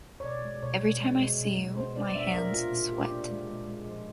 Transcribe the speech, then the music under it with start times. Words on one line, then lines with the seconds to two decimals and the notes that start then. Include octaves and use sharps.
Every time I see you, my hands sweat.
0.20 C#5
0.24 B2 D5
0.44 G#3
0.62 B2 C#5
0.82 B2
1.00 G#3
1.20 G#3
1.39 B2
1.58 G#3
1.77 B3 C5
1.96 B3 D5
2.15 D4 E5
2.35 D4 A#4
2.53 A#2 F4
2.72 A#2
2.91 A#2 G4
3.11 D4
3.30 G#3
3.49 G#3
3.67 G#3
3.87 F3